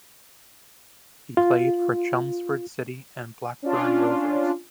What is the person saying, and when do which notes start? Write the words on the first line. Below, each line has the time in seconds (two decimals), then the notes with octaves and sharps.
He played for Chelmsford City and Blackburn Rovers.
1.37 F4
3.62 C#4 D4 F4